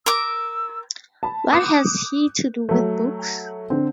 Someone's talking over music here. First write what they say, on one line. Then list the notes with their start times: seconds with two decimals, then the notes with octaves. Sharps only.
What has he to do with books?
0.06 A#4 D6 E6
1.23 A5 B5
1.53 D6 D#6 F#6 G6 C#7 E7
2.69 F#3 A3
3.70 D3 C4